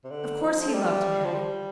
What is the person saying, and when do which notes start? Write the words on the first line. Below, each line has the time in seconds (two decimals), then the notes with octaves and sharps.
Of course he loved Mary.
0.04 C3
0.10 D3
0.42 F3
0.67 A3
0.73 G3
1.25 F3
1.35 G3